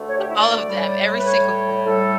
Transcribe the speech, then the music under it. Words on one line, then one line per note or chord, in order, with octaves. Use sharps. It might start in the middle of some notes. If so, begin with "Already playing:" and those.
All of them, every single one,
Already playing: D2 D3 A3
C#5
G4
E4
D5
A2 G3
B4
C#5
A2 G3 A4